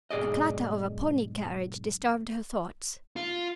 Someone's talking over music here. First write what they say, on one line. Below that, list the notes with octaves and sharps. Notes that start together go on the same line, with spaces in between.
The clatter of a pony carriage disturbed her thoughts.
B1 G#2 G#4 D5 D#5
F4